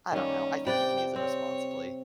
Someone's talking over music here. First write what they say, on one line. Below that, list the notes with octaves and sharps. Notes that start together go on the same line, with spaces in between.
I don't know. I think you can use it responsibly.
D#3 G3 A#3 C#4
C3 B4 D5 G5
C4 C#5